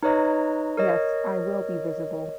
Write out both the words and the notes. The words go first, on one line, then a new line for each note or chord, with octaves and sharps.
Yes, I will be visible.
D#4 B4 C#5 D#5 A#5
A#4 C#5 D#5